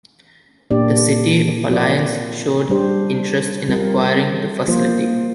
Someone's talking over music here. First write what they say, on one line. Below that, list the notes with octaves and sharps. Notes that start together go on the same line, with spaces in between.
The city of Alliance showed interest in acquiring the facility.
A#2 A#3 D4 G4 D5
F3 C4 F4 A#4 D5
G3 D4 G4 C5
G3 C4 F4 A#4
F3 A#3 F4 C5